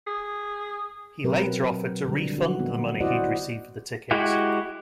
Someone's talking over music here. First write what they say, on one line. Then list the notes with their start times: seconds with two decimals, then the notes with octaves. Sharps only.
He later offered to refund the money he received for the tickets.
0.07 G#4
1.24 B2 F#3 C4 A#4 B4
2.06 D3 G3
2.38 F#4
2.59 F3 B3 D#4
3.00 E4 F#4 C5 D5 D#5 F#5
4.11 G#3 E4 F#4 G4